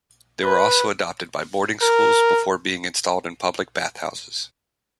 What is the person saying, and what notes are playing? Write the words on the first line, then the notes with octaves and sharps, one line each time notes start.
They were also adopted by boarding schools, before being installed in public bathhouses.
B4
A#4